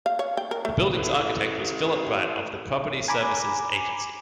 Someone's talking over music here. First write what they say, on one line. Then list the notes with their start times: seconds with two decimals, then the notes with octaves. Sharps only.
The building's architect was Philip Bright of the Property Services Agency.
0.06 F5
0.19 C#5
0.37 G5
0.51 A#4
0.65 A3
0.95 E3 A3
3.08 G#5 A#5 B5 D6